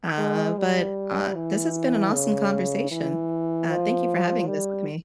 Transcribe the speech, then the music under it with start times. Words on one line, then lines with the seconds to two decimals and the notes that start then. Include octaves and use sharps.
Uh, but, ah This has been an awesome conversation, uh, thank you for having this with me.
0.18 G#3
0.57 G3
1.35 E3
2.13 C#3
2.91 E3
3.69 F3
4.46 G3